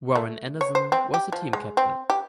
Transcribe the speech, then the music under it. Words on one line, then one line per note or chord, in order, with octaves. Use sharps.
Warren Anderson was the team captain.
A3
C#5
C5
C4
G4
F3
G#3
C4
G4